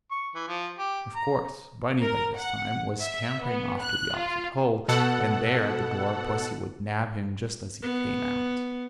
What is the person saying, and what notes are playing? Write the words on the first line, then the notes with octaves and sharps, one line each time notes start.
Of course, Bunny by this time was scampering off to the opposite hole, and there at the door pussy would nab him just as he came out.
C#6
E3
F3
G4
A#5
A#4
F#5
E5
B3
F#6
F4
B2 A4 F#5
B3